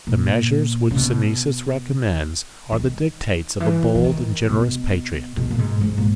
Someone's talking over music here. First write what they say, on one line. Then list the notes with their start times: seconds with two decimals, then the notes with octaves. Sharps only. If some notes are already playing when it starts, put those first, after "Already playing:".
The measures which Synesius recommends, are the dictates of a bold and generous patriot.
0.07 A#2
0.91 C#3
0.96 B2
2.72 D#3
3.60 E3
3.95 E3
4.04 D#3
4.49 B2
5.37 B2
5.51 A#2
5.59 G#2
5.81 G#2
5.98 A#2